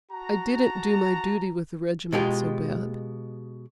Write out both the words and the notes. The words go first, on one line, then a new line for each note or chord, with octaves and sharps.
I didn't do my duty with the regiment so bad.
F#4 A5 A#5
B2 G#3 F4 G4